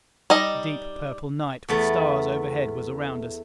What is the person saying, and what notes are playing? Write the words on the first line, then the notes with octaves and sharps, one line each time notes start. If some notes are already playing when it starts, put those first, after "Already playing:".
The deep purple night with stars overhead was around us.
G3 D#4 D#5
E2 A3 B3